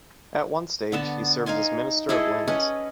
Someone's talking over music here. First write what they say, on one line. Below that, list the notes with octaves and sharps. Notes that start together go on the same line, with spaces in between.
At one stage he served as Minister of Lands.
D3 B3 A5
D#4 F5 G#5 C6
E4 G#4 A4 D#5
C#4 B4 D#5